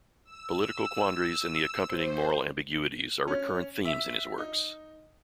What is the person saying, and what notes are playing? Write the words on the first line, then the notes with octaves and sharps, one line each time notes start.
Political quandaries and the accompanying moral ambiguities are recurrent themes in his works.
E6
C5
C#4
E5
D#4